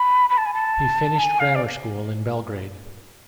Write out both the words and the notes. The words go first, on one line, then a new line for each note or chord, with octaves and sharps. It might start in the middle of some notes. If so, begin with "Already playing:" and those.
He finished grammar school in Belgrade.
Already playing: B5
B5
A5
G#5
A5
G#5
F5
D5